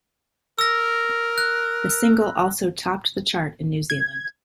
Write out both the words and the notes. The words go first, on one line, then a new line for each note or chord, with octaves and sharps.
The single also topped the chart in New Zealand.
A#4 E6 A#6
F#6
G#6